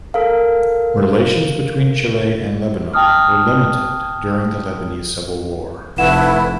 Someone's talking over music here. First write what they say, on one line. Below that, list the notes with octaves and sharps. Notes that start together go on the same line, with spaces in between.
Relations between Chile and Lebanon were limited during the Lebanese Civil War.
A4 A#4 F5
G5 A5 D#6 F6
F1 A3 E4 B4 F#5 E7